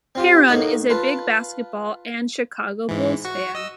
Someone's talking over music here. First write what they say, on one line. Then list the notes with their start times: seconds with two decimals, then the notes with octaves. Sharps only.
Herron is a big basketball and Chicago Bulls fan.
0.15 C4 F4 G4
0.48 A2 A#3 D#4 F#4 D#6
0.89 F4 B4 A5
2.88 G#2 E3
3.25 F#4 C#6
3.55 D#5 E6